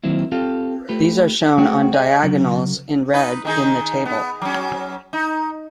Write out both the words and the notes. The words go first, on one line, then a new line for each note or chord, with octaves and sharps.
These are shown on diagonals, in red, in the table.
D#3 F#3 A#3 C4 E4
C4 F4 G4 A4 F5
A3 F4 G4 B4
G#3 A3 C4 F#4 G#4 G5
G#4 D#5 G#5
C#3 F#3
D#4 B4
D#3 D#4 G#4
B3
F#3 C#4
D#4